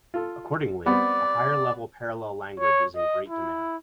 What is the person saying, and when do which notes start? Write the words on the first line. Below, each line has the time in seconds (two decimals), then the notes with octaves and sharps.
Accordingly, a higher-level parallel language is in great demand.
0.14 F4 A4
0.86 G3 B3 C4 D5
2.60 C#5
2.96 D#5
3.28 E4